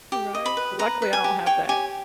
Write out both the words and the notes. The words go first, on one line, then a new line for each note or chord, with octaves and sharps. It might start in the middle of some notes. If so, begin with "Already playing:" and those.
Right. Luckily, I don't have that.
G4
D#5
B5
B4
B4 A#5
B4
G#5
G4
C#5 G5
G4 G#5